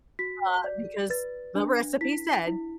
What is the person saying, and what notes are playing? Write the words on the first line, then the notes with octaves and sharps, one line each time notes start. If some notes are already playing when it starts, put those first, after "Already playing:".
uh, because the recipe said
F#4 B6
D5
B4 A6
D4
E4 B6
E4